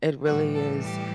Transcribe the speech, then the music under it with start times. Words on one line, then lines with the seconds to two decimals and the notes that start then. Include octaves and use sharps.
It really is.
0.25 A2 E3 G3 F#4
0.54 A4
0.84 G4